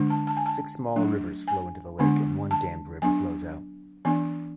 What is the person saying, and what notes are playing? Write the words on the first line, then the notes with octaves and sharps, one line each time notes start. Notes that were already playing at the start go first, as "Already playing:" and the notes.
Six small rivers flow into the lake, and one dammed river flows out.
Already playing: D3 G#3 D4
A5
A5
G#5
A5
F#3 A3 D4
G#5
D3 G#3 B3 D4
A5
F#3 B3 D4 G#5
E3 B3 D4 G#5